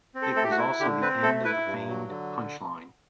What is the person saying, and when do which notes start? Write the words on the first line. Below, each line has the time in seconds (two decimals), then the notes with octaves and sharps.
It was also the end of the famed "Punch Line".
0.15 C4
0.22 A4
0.36 A3 A4
0.44 G4
0.51 F#4
0.58 E4
0.80 D3 G4
1.01 C4 B4
1.23 A3 A4
1.44 E4 B4
1.66 G2
1.88 F#3
2.10 D3